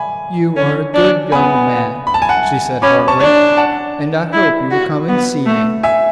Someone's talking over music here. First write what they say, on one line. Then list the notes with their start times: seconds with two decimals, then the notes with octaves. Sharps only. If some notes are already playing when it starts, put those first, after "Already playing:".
"You are a good young man," she said heartily. "And I hope you will come and see me."
Already playing: G#5 B5
0.56 C#4
0.94 D4
1.32 B3 G#5 B5
2.07 B5
2.14 A5
2.22 G#5
2.28 F#5 A5
2.82 C#4 B5 D6
3.08 A5 C#6
3.20 D4
3.57 F#5 A5
4.33 E4
4.71 F#4
5.08 B3
5.46 A3
5.83 E5 G#5